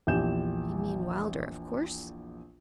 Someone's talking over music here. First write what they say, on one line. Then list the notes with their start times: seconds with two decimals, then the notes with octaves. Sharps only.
You mean Wylder, of course?'
0.07 A#1 E2 G4 G6 E7